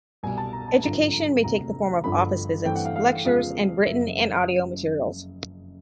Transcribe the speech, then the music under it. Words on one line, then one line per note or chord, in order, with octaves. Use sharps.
Education may take the form of office visits, lectures and written and audio materials.
C2 B2 G3 G#5
A5
A#5
A5
G#1 G2 D3 F3 A#5
A#5
E1 D2 C3 A#5
G1 G2 D3 F3 B5
G2 E3 A3 C4 G5
F#5
F5
F5
F2 C#3 F3 G#3 B3 F5
F#1 F2 C#3 E5